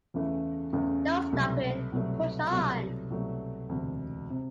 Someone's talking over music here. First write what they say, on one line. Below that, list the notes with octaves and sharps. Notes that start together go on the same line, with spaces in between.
No Stopping, Push On!
E2 C#3 E3 A3
E2 C#3 E3 A3
C2 B2 F#3 A3
C2 B2 F#3 A3
C2 B2 F#3 A3
C2 B2 F#3 A3
E1 D2 C3
C3